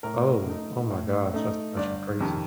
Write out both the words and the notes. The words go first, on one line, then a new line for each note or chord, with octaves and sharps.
Oh, oh my gosh, that's actually crazy.
A2 A#4
A3 D#4
A2
A3 D#4
G1 D5
F2 C3 D#3